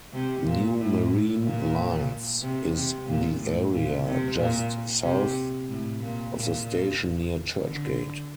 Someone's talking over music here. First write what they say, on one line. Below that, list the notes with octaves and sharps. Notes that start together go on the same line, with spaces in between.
"New Marine Lines" is the area just south of the station near Churchgate.
C3
A#2
A2
A2
A#2
C3
C3
A#2
A2
A#2
C3
A#2
C3
A2
A#2
A#2
D3